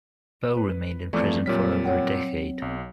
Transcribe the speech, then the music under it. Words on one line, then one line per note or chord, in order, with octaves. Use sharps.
Bo remained in prison for over a decade.
B4
E2 F3 A3 C4 D5 D6
A#2 F#3 G3 C#5 F6 B6
C#5 F#5 G5
B1